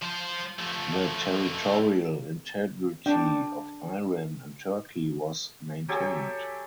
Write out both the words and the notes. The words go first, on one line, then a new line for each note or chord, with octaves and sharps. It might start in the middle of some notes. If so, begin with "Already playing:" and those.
The territorial integrity of Iran and Turkey was maintained.
F3 C5
F3 A3
D4 G5
F#3 G4 A4 G#5